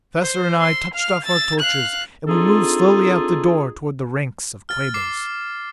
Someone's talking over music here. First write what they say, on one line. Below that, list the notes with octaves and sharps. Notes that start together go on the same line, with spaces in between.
The Professor and I touched off our torches; and we moved slowly out the door toward the ranks of Quabos.
C5
C6 E6
F5 F6
E6 A6
F5 F#6
C4 D4 D#4 F4 G#4 A4
F6 A6
D6 C7